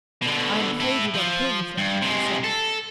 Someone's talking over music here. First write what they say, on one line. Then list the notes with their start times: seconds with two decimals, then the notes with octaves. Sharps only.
"I am afraid you don't approve of them," he said.
0.22 B2 D3
0.80 E4 A4
1.15 F3
1.78 G2
2.02 C3 G#3
2.44 A4